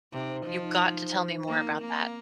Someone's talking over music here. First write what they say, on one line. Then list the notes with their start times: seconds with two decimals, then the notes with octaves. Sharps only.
You've got to tell me more about that.
0.12 C3 D#4
0.29 C5
0.46 F3 D#5
0.63 D#4
0.80 D#4
0.97 C5
1.13 C5
1.30 D#4
1.47 A#3 A#4
1.64 C4
1.81 A#3 C4
1.98 F5